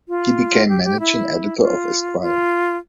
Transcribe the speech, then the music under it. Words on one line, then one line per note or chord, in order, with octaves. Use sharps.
He became managing editor of "Esquire".
F4
G4
G4
E4
F4
F4